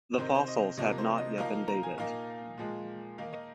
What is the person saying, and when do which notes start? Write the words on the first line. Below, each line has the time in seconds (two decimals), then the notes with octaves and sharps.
The fossils have not yet been dated.
0.18 C3 D#3 C4 D#4 C5
0.35 C5
0.48 D#5
0.77 C3 F3 A#3 D#4 D#5
0.98 C5
1.18 D#5
1.38 F3 A#3 D#4 F5
1.68 A#5
1.83 G#5
1.98 A#2 A#3 D#4 F5
2.58 A#2 F3 G#3
3.18 D#3 A#3 D#4 F5
3.33 D#5